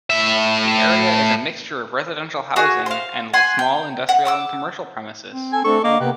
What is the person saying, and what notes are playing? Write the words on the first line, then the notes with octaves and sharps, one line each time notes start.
The area is a mixture of residential housing and small industrial and commercial premises.
A2 E5
F#4 G#4
C5 F5
F#5 G#5 C6
G5
F#5
F#5 D6 E6
C4
A4 G#5
A3 C4 D4 A4 C#6
D3 A#3 D#5 D6
C3 A#3 B3 B4 G5